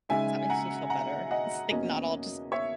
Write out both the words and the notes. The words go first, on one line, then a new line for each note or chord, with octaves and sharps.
Is that makes me feel better, it's, like, not all just
C#3 G#3 D#4 E5 G#5
F#5 A#5
F#5 A#5
D#5 F#5
E2 B2 A#3 C#4 D#5
C#5 E5